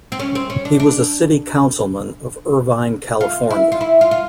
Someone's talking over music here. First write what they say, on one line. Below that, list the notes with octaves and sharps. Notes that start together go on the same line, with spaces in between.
He was a City Councilman of Irvine, California.
C4
C#4
C4
C#4
D4
D4
F4
E4
F4
E4
F4
F4